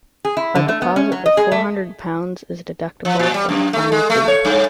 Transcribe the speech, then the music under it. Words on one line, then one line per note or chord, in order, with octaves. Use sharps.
A deposit of four hundred pounds is deductible from the final fee.
G#4
E4
D3
A3
B3
C#4
F#3
D#5
G#4
A3
F3
A#2
G3
F#2
A3
G#3
A3
C#5
G2